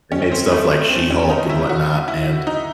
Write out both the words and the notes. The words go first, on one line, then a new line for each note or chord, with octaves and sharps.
they made stuff like She-Hulk and whatnot, and
C#4
C#4
C4
A3
A3
C4
C#4
D#4
E4
F#4
E4
D#4